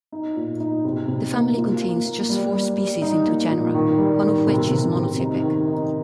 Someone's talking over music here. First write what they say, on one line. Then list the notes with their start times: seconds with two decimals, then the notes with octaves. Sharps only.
The family contains just four species in two genera, one of which is monotypic.
0.12 D#4
0.36 A#2
0.60 D#4
0.85 C3
1.08 C3
1.33 A#3
1.57 F4
1.81 A#3
2.05 A#3
2.29 G3
2.53 G3
2.78 G3
3.02 D#4
3.26 A#3
3.50 A#2
3.75 D#3
3.98 G3
4.23 D#3
4.47 C3
4.71 C3
4.95 C3
5.19 D#4
5.43 D#3
5.67 D#4